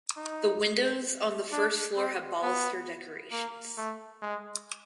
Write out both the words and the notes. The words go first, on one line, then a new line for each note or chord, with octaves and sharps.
The windows on the first floor have baluster decorations.
D#4
D4
C4
B3
A#3
A3
G#3